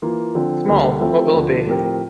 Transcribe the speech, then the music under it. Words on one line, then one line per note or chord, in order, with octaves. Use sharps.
Small, what will it be?
E3 A#3 F4
D3 F3 C4
D2 D3 G3 A#3
F3 A3 C4 E4
D2 D3 F3
A2 F3 C4 G4 A#4